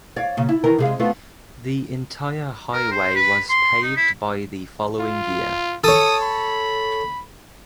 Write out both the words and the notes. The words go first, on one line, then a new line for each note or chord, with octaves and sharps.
The entire highway was paved by the following year.
C#5 D5 F5
A#2 C#3
E4
D#3 E3 A#4
C3 G#3 F4
A3 B3 F4
A#4
C5
B4
C6
D#4
E4
F4
A4 C#5 D#6
B5